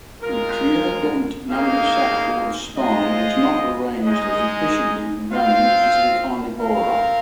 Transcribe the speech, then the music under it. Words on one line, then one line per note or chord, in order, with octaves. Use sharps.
The creodont lumbosacral spine was not arranged as efficiently for running as in Carnivora.
G#3 F4 A#4
A#3 D#4 G#4 C5 F5
G#3 F4 C5 D#5
G#3 D#4 G#4 D#5
C4 F4 C5 F5
C4 F4 A#4 F5